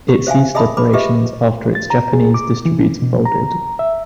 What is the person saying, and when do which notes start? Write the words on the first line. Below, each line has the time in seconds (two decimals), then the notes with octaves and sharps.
It ceased operations after its Japanese distributor folded.
0.08 G4
0.27 C5 E5 F5 G#5
0.55 G#4 D#5 E5 A5 B5 D#6
0.77 B4 B5 D6
0.93 F4 G4 G#4 B4 D#5 E5
1.75 A6
1.90 A#5
2.13 G#4
2.34 D6
2.66 E3
3.02 B2
3.25 A#5
3.79 E5